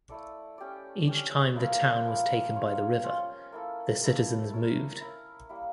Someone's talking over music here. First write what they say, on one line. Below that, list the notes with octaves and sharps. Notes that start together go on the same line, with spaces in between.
Each time the town was taken by the river, the citizens moved.
A3 E4 A4 D5
C#4 G4 D5
C#4 G4 D5
F3 A#3 E4
F3 A#3 E4
C#4 F4 C#5
C#4 F4 C#5
A#3 E4 A4
A#3 E4 A4
E4 A#4 C#5
E4 A#4 C#5
G3 A#3 E4